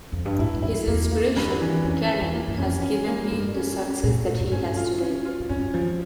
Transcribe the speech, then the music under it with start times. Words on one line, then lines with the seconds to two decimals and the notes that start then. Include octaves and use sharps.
His inspiration, Karen, has given him the success that he has today.
0.12 F2
0.25 G2
0.39 A2 E4
0.53 G2
0.62 F2 E4
0.87 E2 A#3
1.11 A#3
1.37 G2
1.61 E3
1.84 F2 C#4
2.09 E3
2.21 E2
2.33 A#3
2.48 G2
2.58 F2 C#4
2.82 C#4
3.07 A#3
3.30 G2 A3
3.54 C#4
3.79 C#4
4.03 A#2 A3
4.27 A3
4.40 G2
4.52 C#4
4.77 F4
5.01 C#4
5.25 F4
5.40 A2
5.49 G2 C#4
5.74 F2 F3